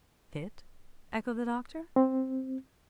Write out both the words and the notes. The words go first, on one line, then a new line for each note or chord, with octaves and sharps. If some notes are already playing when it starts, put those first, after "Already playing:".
"Fit?" echoed the doctor.
C4